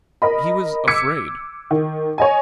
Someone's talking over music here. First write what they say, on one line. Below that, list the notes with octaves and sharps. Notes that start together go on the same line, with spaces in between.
He was afraid.
A#4 D#5 B5
D6 E6 G#6 B6 C#7
D#3
C#5 D#5 G#5